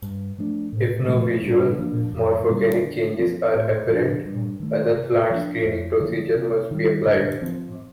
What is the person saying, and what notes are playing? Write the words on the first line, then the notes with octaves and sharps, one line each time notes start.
If no visual, morphogenic changes are apparent, other plant screening procedures must be applied.
G2
F3 A3 D4
A2
F3 A3 C4
G2
F3 A#3 D4
F2
D3 G3 A#3
D3
F3 C4
A2
F3 A3 D4
G2
D#3 A3
C3
F3 A#3 D4
F2
D3 F3 A#3
C3
D#3 G3
D3
F3 C4